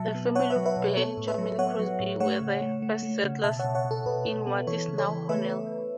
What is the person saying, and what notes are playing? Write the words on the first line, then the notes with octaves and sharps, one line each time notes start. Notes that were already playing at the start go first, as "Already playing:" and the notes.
The family of Benjamin Crosby were the first settlers in what is now Hornell.
Already playing: B2 F#3 E5 A5
B3
B3 C#5 F#5
B4 E5
F#3
B4 E5
B2
B3 A4 C#5
A2
B4 E5
F#3
B3 C#5 F#5
F#3
A2
A3 C#5 F#5
C#3
A3
A3
A3
C#3
B2 E5 A5
C#5 F#5
B2
C#5 F#5
B2
A4
B2 B4
B2
B3
E3 A4 C#5
C#3
A4 C#5
E3
A3 B4 E5